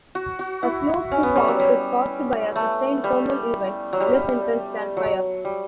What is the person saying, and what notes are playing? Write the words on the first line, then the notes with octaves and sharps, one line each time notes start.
A slow cook-off is caused by a sustained thermal event less intense than fire.
F#4
F#4
E4
C#4
B3
G3
F#3
G3
A3
G3
F#3
G3
F#3
G3